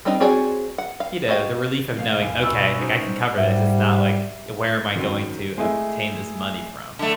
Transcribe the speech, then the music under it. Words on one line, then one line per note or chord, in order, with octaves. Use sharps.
you know, the relief of knowing, "Okay, like I can cover this," it's not like, "Where am I going to obtain this money from?"
G3 C4 D4 D#4
C4 F#4 G#4 C#5 D5
F#5
F5
F#4 G4 D#5 F5
E1 F5
D#2 G#3 E4 G#5
D5 E5 B5 C#6 E6 F#6
B2
C#4 D#4 F#4 C5
G3
G#2 G3 E5
F#2 D#3
G#3 A3 E4
D3 A3